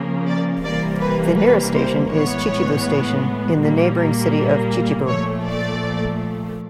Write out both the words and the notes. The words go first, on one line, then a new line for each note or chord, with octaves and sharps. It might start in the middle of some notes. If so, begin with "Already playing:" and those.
The nearest station is Chichibu Station, in the neighboring city of Chichibu.
Already playing: C#3 F3 A#3
D5
C3 E3 G3 A#3 D5
B4
B4
C5
A2 E3 G#3 B3 C#5
A#2 G3 A#3
A#2 F3 A3 C#5
D5